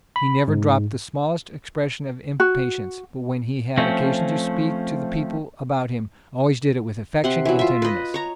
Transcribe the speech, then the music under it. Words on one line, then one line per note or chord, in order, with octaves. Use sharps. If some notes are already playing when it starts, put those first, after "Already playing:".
He never dropped the smallest expression of impatience; but when he had occasion to speak to the people about him, always did it with affection and tenderness.
B5
G#2
F#4
F3 A3 C4 C#4
C3 F#5 C6
E3 F#3
F4 E5
B4 D#5
C#5 A#5